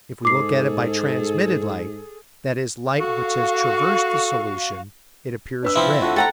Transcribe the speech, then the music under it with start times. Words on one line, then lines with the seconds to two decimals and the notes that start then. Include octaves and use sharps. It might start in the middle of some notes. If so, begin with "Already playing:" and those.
If we look at it by transmitted light, that is, light which has traversed the solution, it appears red.
0.25 G#2 G#4 A4 D6 C7
2.99 F#4 A4 F5 C#6
5.62 D4 B4 E6
5.76 F3 C4 E4
6.02 D3 A3 F4 F#4
6.16 A4 F#5 G5 A#5